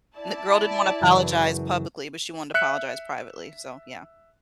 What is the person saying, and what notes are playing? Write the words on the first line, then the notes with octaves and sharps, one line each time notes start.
And the girl didn't wanna apologize publicly, but she wanted to apologize privately, so yeah,
E4 D5 A5
F#2 C#3 E3
E5 F#6 C#7